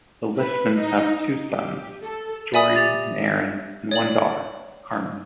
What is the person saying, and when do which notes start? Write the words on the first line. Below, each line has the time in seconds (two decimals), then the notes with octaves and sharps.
The Lishmans have two sons, Geordie and Aaron, and one daughter, Carmen.
0.39 B4
0.77 D#4
1.19 D#4
1.49 G4
2.04 A4
2.54 D5 E5 G#5 B5 D#6
2.76 G4 A6
3.91 C#5 D5 F#7